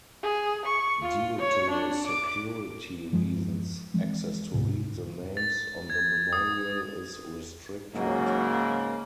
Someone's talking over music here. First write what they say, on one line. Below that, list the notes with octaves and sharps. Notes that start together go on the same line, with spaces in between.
Due to security reasons access to read the names on the memorial is restricted.
G#4
C#6
F4
C#5
D4
D6
G2 F3 G#3
E3 F3 G#3 C4
D2 G#2 C3
A6
G#6
D#6
G#2 C#3 F#3 A#3